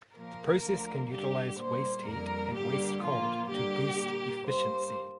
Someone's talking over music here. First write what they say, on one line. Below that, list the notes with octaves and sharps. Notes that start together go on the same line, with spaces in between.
The process can utilise waste heat and waste cold to boost efficiency.
A#2 F3 A#3 A#4
D2 D3 F3 A#3
G2 D3 G3 G4
A#2 G3 A#3 C5
F2 D3 G3 A#3 A#4
G2 D3 G3 A#3 G4
A#2 F3 A#3 F4
G2 D3 G3 A#3 G4
A#2 A#3
G2 G3 A#3 C5